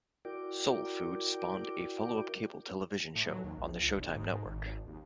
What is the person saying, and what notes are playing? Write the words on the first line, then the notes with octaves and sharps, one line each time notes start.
"Soul Food" spawned a follow-up cable television show on the Showtime network.
E4 F#4 A#4 D5 G5 D6
A2
F#3
D#2
A#1
C#2
F1
G#2
G#2
G#1
D#2